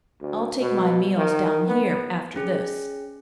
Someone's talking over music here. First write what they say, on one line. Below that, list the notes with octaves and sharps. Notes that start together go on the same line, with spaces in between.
"I'll take my meals down here, after this."
D2
B2
D#3
B3
C#4 G#4